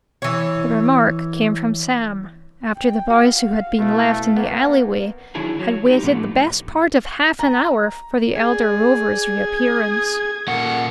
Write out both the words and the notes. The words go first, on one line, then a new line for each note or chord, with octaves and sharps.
The remark came from Sam, after the boys who had been left in the alleyway had waited the best part of half an hour for the elder Rover's reappearance.
E3 C#5
G5
F#4 F5
B2 A3 E4
A#3 B3
D#3 F#3 D4 E4 G#4
F#3
D#4 G4
A2 F3 A3 B3 D4
A#5
G#4 D5
D#6 G#6
A#2 A4 A#4 F#5 C#6